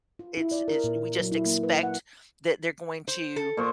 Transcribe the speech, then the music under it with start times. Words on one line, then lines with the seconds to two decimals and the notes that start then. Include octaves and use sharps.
it it's, we just expect that they're going to,
0.19 F4
0.37 E4
0.52 D5
0.68 A#4
0.84 A#2
1.20 F#3
1.32 E4
1.46 A#3
1.63 B4
1.83 F#5
3.08 C5
3.36 A4
3.57 A#2 C5 C#6